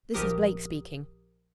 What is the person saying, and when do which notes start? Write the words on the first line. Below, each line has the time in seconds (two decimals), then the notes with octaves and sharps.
This is Blake speaking.
0.14 A#1 F3 G4 A#4 D#6